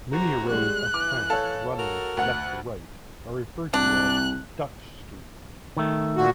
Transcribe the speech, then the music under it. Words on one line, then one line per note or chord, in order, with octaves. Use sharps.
Linear rows of plants running left-to-right are referred to as "Dutch streets".
D2 C3 F#4 A#5
G3 G#3 F#6
E3 D6
A4 C#5 F5
F#4 A#4
D2 F#5 F#6
C2 D4 F#6
D#3 A3
A#2 F#4